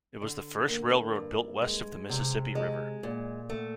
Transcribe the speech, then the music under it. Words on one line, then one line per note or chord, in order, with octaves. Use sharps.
It was the first railroad built west of the Mississippi River.
D3
A#3
G2
G#3
C3
G#3
A#2
A3